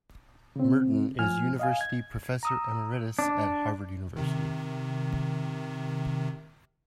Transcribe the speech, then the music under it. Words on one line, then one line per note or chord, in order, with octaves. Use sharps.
Merton is University Professor Emeritus at Harvard University.
C#3 C4
A2 F3 G#5 F6
D#5 F5 G#5
G#6
A#5 D#6 E6
D4
C3 D#3